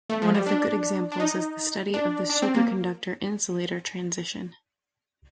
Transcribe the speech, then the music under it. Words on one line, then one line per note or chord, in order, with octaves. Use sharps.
One of the good example is the study of the Superconductor Insulator Transition.
A3
F3
G3
D4
D4
D#4
D4
D4
C4
A#3